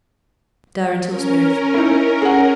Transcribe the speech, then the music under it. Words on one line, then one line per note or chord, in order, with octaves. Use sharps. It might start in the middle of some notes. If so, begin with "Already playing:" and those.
Stir until smooth.
C#4 A#4
D#4 E4
G#4 F#5